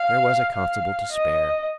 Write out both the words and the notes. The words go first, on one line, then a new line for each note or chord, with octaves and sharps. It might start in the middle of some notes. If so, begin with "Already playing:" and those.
There was a constable to spare.
Already playing: F5
F5
D#5